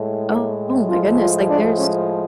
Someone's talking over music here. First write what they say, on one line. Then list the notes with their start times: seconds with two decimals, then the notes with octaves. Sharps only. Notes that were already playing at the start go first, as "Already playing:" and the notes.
"Oh my goodness, like, there's"
Already playing: A2 G#3
0.89 A2 F3 G#3 F4
1.19 F4
1.48 D4
1.77 C#4